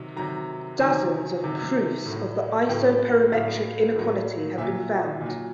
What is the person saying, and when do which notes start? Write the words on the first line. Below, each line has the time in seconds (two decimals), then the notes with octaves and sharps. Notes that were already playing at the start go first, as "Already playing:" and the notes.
Dozens of proofs of the isoperimetric inequality have been found.
Already playing: C3 D#3 F#3
0.16 C3 D#3 F#3 A#5
0.80 C3 D#3 F#3 G#5
1.44 C3 D#3 F#3
2.06 A2 F#3
2.69 A2 F#3 G5
3.32 A2 F#3 F5
3.96 A2 F#3
4.58 A#2 F#3 E5
5.21 A#2
5.26 F#3